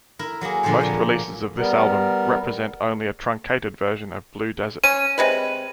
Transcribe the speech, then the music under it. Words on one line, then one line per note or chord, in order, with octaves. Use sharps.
Most releases of this album represent only a truncated version of "Blue Desert".
E4 A#4
F#3 A#3 E4 G#4
A#2 D3 F3 C4 C5 C#5
A#3 C#5
G3 B3 A#4
C#4 D#7
C3 G#3 B4